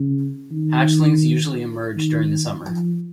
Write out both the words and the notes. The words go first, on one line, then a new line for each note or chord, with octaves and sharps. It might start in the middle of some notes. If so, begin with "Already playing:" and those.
Hatchlings usually emerge during the summer.
Already playing: C#3
D#3
D#3
F3